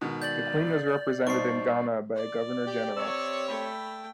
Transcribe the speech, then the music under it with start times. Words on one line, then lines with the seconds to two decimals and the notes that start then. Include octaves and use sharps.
The Queen was represented in Ghana by a Governor-General.
0.01 G#2 B2 D#3
0.22 D5 G6 A6 F#7
1.27 G2 B2 D#4 C5 D#5 C#6 C7
2.16 D5
2.67 G4
2.97 C3 C#5 E6
3.48 A3 G5 B5